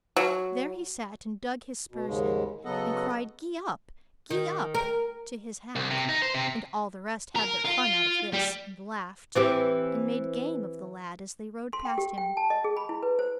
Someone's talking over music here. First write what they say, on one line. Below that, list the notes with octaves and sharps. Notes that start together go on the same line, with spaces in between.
There he sat and dug his spurs in, and cried, "Gee up! gee up!" to his hack. And all the rest had their fun out of this, and laughed, and made game of the lad as they rode past him.
F#3
B2
D#2 G#2 C#3 G#3
C#3 F#3 B3 A4 D#5 F#5
D#3
A#4
C2
C3
D#4
C5
C3
A#4
F4
G3
E3 C4 G4
C6
G5
G4
G5
A5
D#5
G#4
B5
E4
B4
C5